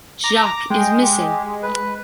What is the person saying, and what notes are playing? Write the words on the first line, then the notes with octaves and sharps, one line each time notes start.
Jacques is missing!
A#5 D6
G#3 G5
G4
B4